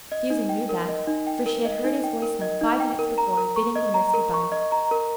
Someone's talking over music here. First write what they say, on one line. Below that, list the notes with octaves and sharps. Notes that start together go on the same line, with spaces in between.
Susan knew that, for she had heard his voice not five minutes before, bidding the nurse good-bye.
D#5
D#4
G5
A#4
D#5
D#4
G5
A#4
D#5
D#4
G5
A#4
D#5
D#4
G5
A#4
A#5
A#4
C#6
D#5
A#5
A#4
C#6
D#5
A#5
A#4